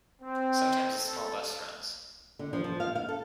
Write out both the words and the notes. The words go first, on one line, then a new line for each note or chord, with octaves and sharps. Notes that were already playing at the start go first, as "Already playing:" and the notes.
Sometimes a small bus runs.
C4
A4
D3
F3
F3
F5
F5
A4